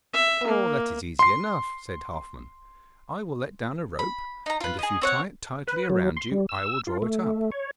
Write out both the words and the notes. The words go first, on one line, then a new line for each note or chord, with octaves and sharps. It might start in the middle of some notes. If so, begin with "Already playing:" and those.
'Oh, that is easy enough,' said Halfman. 'I will let down a rope, and if you tie it tightly round you, I will draw it up.'
E5
A#3
C6 C7
B5
D#4 A#5
F4 B4
G#4 D#5
C4 C#5 F#5
B4
F#3
C6
G3
E6
F4
A3
C#5